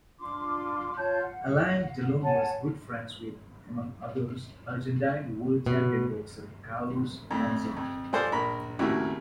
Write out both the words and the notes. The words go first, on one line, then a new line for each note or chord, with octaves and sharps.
Alain Delon was good friends with, among others, Argentine world champion boxer Carlos Monzon.
D4 F4 C6 D6
F4 C#5 A5 G6
F5 F#5
C#5 F#5 G#5 A5
B2
F2 A2
F2
G#3 F4 G#4 A4 C5 D5
A#1 A#4 A#5 B5
G#1 D#2 A2 C#3 E4 F#4